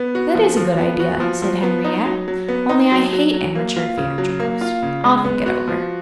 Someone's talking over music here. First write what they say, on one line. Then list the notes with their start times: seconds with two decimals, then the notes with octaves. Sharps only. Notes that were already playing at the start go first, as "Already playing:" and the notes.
"That is a good idea," said Henriette; "only I hate amateur theatricals. I'll think it over."
Already playing: B3
0.15 F#4
0.35 F3
0.57 F3
0.78 B3
1.00 F#4
1.20 F3
1.42 F3
1.63 B3
1.84 D#4
2.05 F#3
2.28 F#3
2.48 B3
2.69 D#4
2.92 F#3
3.13 F#3
3.34 F#3
3.55 A#3
3.76 F4
3.97 C#3
4.18 F#3
4.40 A#3
4.61 F4
4.82 C#3
5.04 G#3
5.24 B3
5.46 F#4
5.68 F3